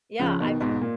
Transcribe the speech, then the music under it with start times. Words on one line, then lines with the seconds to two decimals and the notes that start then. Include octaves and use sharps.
Yeah I've
0.19 C#3 F3
0.40 B2 D#3
0.60 G#2 B2
0.81 A#2